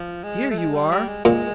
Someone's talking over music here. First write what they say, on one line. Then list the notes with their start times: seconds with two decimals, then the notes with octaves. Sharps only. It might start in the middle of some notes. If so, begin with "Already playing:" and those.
"Here you are!"
Already playing: F3
0.24 G#3
0.51 A3
0.58 G#3
0.75 G3
0.91 G3
1.08 G#3
1.25 A#2 G#3